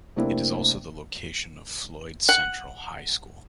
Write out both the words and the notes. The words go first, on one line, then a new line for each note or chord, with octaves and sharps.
It is also the location of Floyd Central High School.
C3 A3 A#3 C4 D4 E4
F#5